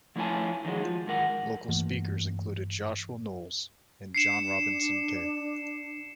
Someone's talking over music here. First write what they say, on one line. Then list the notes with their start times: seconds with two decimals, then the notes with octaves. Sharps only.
Local speakers included Joshua Knowles and John Robinson Kay.
0.16 F3 A3 E4 C#5 G#5 A5
0.65 D#3 F3 F#3 G#3
0.82 F3
1.07 G#2 D#3 A#4 F#5
1.69 G2 E3 A3 A#3
4.15 D4 C7 C#7 E7